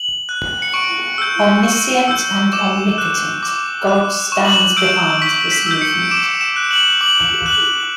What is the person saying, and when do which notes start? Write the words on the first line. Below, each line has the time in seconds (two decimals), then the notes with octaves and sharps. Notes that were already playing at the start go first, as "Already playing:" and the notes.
Omniscient and omnipotent God stands behind this movement.
Already playing: F#7
0.29 F#6
0.62 C#7
0.74 C#6 D7
1.18 E6 G6
1.63 C#6
2.08 E6 G6
2.53 D6 E7
2.98 F#6
3.43 D6
3.87 F#6
4.32 C#6 E7
4.45 F#7
4.54 E7
4.77 E6 G6 D7
5.22 C#6 B6
5.52 B6
5.66 E6 G6
5.81 C#7
6.03 D7
6.11 D6 E7
6.41 E7
6.56 F#6
6.71 F#7
7.01 D6 F#7
7.46 F#6 F#7